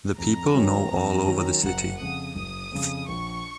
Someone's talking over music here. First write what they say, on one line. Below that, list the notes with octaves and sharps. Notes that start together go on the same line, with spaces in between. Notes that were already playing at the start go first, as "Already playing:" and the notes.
The people know all over the city.
F2 A#5
D#3 F#3 C#4
F2
D#3 F#3 C#4
F#1 F#5
F2 C#3 D#6
F#1 D#6
F2 C#3
A#1 C#6